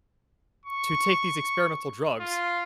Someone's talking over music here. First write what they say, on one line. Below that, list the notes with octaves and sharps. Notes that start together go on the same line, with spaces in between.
to take these experimental drugs,
C#6
F4